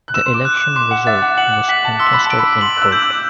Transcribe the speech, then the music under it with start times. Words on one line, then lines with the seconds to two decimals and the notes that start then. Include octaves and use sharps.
The election result was contested in court.
0.08 F#6
0.14 E6 E7
0.26 C6
0.34 D6
0.45 F#6
0.55 D6
0.76 C6 D6
0.91 F#5
1.07 E5 A6
1.22 F#5
1.37 F#5 F#7
1.53 F#5
1.69 F#5 B6
1.85 A5
1.99 C6 E6
2.13 B5
2.26 A5 D7
2.39 B5
2.61 C6 F#7
2.76 F#6
2.82 E6
2.92 D6 G6
3.02 E6